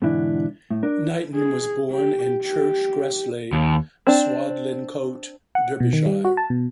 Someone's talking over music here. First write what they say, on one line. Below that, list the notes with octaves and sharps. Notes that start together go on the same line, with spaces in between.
Knighton was born in Church Gresley, Swadlincote, Derbyshire.
G#2 B2 D3 E3 D4 E4
A2
D4 A#4
G#4
G4
G4
D#2
C4 D4
F#5
B2
D#3
G3
F#4
A5
B2